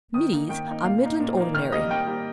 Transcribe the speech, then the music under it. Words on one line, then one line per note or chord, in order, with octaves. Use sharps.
Middies are Midland Ordinary.
D#3 D#6
A#3 D#4
D#3 G5
A#3 D#4
A#2 F5
A#3 D#4
A#2
A#3 D#4
D#3 F6
G3 A#3 D#5
D#3 G5
G3 A#3